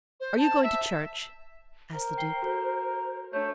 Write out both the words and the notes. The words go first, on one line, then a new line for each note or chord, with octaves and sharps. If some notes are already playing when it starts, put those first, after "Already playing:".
"Are you going to church?" asked the Duke.
C5
A5
E5
A#4 C5
G5 C7 G7
F#4 A4
A3 D4 C#5 G6